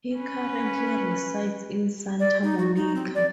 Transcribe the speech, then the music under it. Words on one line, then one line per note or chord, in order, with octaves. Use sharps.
He currently resides in Santa Monica.
C#4 B4
D5
D#4
F#4
D#4
C4
D5